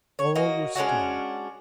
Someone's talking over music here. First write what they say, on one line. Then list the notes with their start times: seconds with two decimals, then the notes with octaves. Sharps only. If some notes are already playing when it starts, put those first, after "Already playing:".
All were still.
0.19 C#5
0.35 A#3 F#4 D#5
0.75 G#3 C#4 D4 F#4